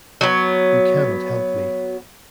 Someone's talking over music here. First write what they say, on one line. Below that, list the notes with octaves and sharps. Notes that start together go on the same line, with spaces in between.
You cannot help me.
F#3 B3